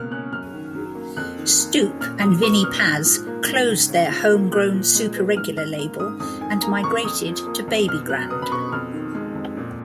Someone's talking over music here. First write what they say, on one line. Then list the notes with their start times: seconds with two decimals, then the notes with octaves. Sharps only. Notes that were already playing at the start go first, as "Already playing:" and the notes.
Stoupe and Vinnie Paz closed their homegrown Superegular label and migrated to Babygrande.
Already playing: C#2 B2 A#3 F6 F#6
0.12 C#4 F#6
0.33 F#2 F6
0.54 D#3
0.75 F#3
0.95 A#3
1.17 F2 F#6
1.38 D#3
1.58 A#3
1.79 C#4
2.00 A#2 F6
2.22 F#3 D#6
2.42 B3 C#6
2.64 A#2 F6
2.85 G#2 F#6
3.05 F3
3.27 A#3
3.48 G#2
3.69 C#2
3.89 C#3
4.10 F3
4.32 A#3
4.52 A#2 F#6
4.74 F3
4.95 G#3
5.15 B3
5.37 G#2 F6
5.57 D#3 F6
5.79 A#3
6.00 G#2 D#6
6.20 F2 D#6
6.41 D#3 G#5
6.62 A#3 A#5
6.84 F2 C#6
7.04 F2 D#6
7.26 F3
7.47 A#3
7.67 F2
7.88 B2 F6
8.09 F#3 F#6
8.30 B3 D#6
8.42 B5
8.52 B2 C#6
8.72 F2 F6
8.93 D#3
9.15 G#3
9.35 F2
9.57 A#2